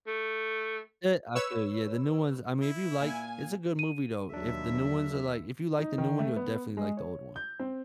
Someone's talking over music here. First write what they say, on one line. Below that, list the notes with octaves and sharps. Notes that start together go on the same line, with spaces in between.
Yeah, I feel you. Yeah, the new ones I mean, if you like it's a good movie though. If the new ones are like If you like the new one, you'll definitely like the old one,
A3
B4 C#5 E6
E4
A#2 G#5
D#7
D#2 F#3 D4 E5
D#4
D#3
A3
B3
G#3
C#5
G6
C4